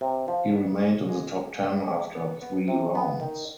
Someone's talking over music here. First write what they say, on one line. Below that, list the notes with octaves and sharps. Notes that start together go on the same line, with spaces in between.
He remained in the top ten after three rounds.
C3
F3
B3
G#3
G#3
G#3
B3
G#3
B3
B3
C3
B3
D#3